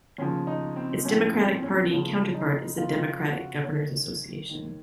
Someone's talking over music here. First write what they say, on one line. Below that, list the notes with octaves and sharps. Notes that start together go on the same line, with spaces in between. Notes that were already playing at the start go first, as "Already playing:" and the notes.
Its Democratic Party counterpart is the Democratic Governors Association.
D#2 C#3 F3 C#4
D#4
C4
A#1 A2 F3 C#4
C4
C#4
D#2 C#3 F3
D#4
F#1 F2 C#3 F4
F#4
F#1 F#2 D#3 C#5
D#2 D#3